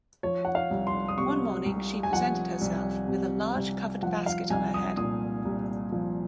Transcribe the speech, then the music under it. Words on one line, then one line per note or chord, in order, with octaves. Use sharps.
One morning she presented herself with a large covered basket on her head.
F3 C#5
F#5
F5
C2
C6
D#6
C3 C#6
C2
G#5
F3 F#5
C2
C3
C2
F3 F#5
F5
C2 G#5
D#6
A#2 D#6
C2
F3